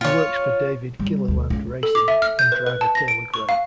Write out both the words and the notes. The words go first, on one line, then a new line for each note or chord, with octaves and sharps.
He works for David Gilliland Racing and driver Taylor Gray.
F4 C#5
G3
D2
C#2
A4
D6
E5
F6
G6
B4
B4
A5
A#6
D7
C#6
F5